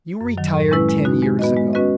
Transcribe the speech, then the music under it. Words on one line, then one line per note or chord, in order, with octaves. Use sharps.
You retired ten years ago.
F#2
D#3 F#3
A2
G#3 C#4 E4 B4
G#3
D#4 F#4
G#3
B3 F#4 B4 D#5
G#3
C#4 F#4 B4 D#5